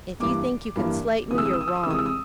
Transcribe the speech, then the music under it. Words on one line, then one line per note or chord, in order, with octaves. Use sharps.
If you think you can slate me, you're wrong.
G2 E3 G3 A#3 D6
G2 E3 G3 A#3
C3 E3 G#3 D#6
E6
D#6
E6
D#6
E6
D#6
E6
C3 E3 G#3 D#6
E6
D#6